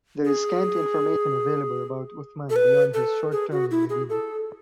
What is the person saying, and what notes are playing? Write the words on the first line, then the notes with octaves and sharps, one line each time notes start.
There is scant information available about Uthman beyond his short term in Medina.
G#4
A4
B4
A4
G#4
F#4
E4
G#4
A4